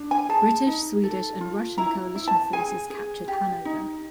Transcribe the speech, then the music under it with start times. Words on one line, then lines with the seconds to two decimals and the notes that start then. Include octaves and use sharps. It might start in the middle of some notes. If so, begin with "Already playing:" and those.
British, Swedish and Russian coalition forces captured Hanover.
Already playing: D4
0.11 G#5
0.29 G#4 A5
0.67 D#4
1.04 A4
1.41 F4
1.78 E4 A#5
2.16 E4
2.28 A5
2.53 G#4 G#5
2.90 G#4
3.28 G4
3.65 D#4